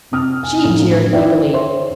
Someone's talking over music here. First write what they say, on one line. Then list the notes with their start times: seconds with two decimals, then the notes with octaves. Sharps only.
She jeered feebly.
0.11 C3 C4 D#6 F6
0.43 G#5
0.64 A2 F3 C#4 D#4
1.12 D#4 E4 C5 D5 E5 G5
1.53 C5 C#5 E5 C6